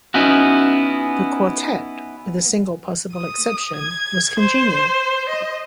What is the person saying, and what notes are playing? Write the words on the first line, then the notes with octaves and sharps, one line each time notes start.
The quartet, with a single possible exception, was congenial.
B3 C#4 D#4 E4 F#4
D#6
G#6
C5
D#5